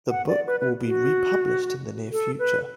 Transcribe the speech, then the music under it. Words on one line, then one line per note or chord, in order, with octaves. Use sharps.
The book will be republished in the near future.
F#5
D5
B4
B4
F#4
A4
B4